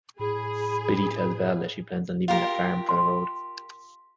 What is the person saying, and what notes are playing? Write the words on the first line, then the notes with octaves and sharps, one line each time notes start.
Billie tells Val that she plans on leaving The Farm for the road.
A2 G#4 B5
F4 G4 A#4
C6